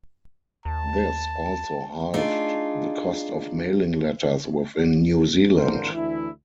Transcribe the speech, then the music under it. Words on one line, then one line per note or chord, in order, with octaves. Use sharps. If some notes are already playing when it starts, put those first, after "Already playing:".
This also halved the cost of mailing letters within New Zealand.
D#2 A5
A3 D4 D#4 F4 G#4 D5
G#1 D3 E3 A#3 A#4 C5
D2 E3 D4 E4